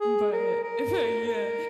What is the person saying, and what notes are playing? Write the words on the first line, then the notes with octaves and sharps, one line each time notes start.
but if I Yeah.
G#4
A#4
A#4
A#4